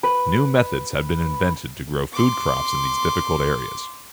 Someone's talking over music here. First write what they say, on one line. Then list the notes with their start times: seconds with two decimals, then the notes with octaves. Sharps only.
New methods have been invented to grow food crops in these difficult areas.
0.03 B4
2.13 C6 D6